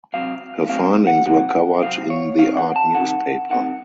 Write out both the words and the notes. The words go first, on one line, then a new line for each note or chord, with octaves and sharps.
Her findings were covered in The Art Newspaper.
C#2 C3 F#3 C4 F5
C#2 C3 F#3 A3 C4 F5
F#5
C#2 C3 F#3 C4 F#5
C#2 C3 F#3 C4 F5
C#5
C2 C3 D#3 F5
F#5
A5
C2 C3 D#3 F#5
C2 C3 D#3 F#5